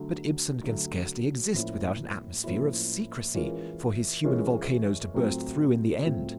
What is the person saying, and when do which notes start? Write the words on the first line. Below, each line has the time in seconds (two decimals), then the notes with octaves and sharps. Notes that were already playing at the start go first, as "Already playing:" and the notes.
But Ibsen can scarcely exist without an atmosphere of secrecy for his human volcanoes to burst through in the end.
Already playing: D3 F#3 A3
0.64 D3 F#3 A3
1.54 A2 F3 A#3 C#4 E4
2.44 A2 F3 A#3 C#4 E4
3.35 E3 G#3 C#4 F4 A#4
4.24 E3 G#3 C#4 F4 A#4
5.14 A2 F#3 A3 C4 F4
6.05 A2 F#3 A3 C4 F4